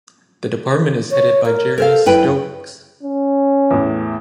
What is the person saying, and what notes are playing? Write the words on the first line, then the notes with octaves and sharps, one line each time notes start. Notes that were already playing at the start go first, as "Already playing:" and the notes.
The department is headed by Jerry Stokes.
C#5
A#4
A4 A#4 C5 F5
F#2 E4 B4 G5
C#4
E2 A2